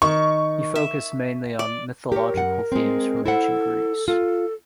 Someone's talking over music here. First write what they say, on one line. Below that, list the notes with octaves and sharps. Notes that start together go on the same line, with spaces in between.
He focused mainly on mythological themes from ancient Greece.
D#3 C#6
E5
D5
G4 A#4 C#5
F#2 F#5
G#3 C4
E4 A4 C5 F#5
F4 A4